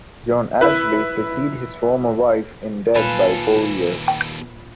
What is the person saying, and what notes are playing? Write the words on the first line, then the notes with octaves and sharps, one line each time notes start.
John Ashley preceded his former wife in death by four years.
E4 B4
D#2 A#2 F4 A4 B4 F5 G#5 A5